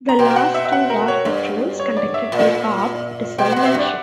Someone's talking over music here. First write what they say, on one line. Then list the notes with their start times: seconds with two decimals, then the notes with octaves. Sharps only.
The last two war patrols conducted by "Barb" deserve mention.
0.09 A#5
0.19 B2 G5
0.31 G5
0.36 F#5
0.54 E5
0.65 E5
0.72 F#5
0.90 A#4
1.08 C#5
1.25 G2
1.79 C#5
1.97 D5
2.14 E5
2.32 A#2
3.38 B2 G5
3.52 F#5
3.56 B2
3.65 E5
3.74 G2 D5